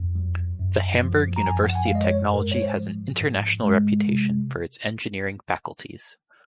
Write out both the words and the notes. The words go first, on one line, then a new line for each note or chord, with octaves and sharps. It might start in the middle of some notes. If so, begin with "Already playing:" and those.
The Hamburg University of Technology has an international reputation for its engineering faculties.
Already playing: F2
F#3
F#2
F3
A#5
F#2 G#5
F#5
G#5
G#3 F5
D#5
C#5
G#2 A#4
C#5
C5
F3
G#2
G#3
C3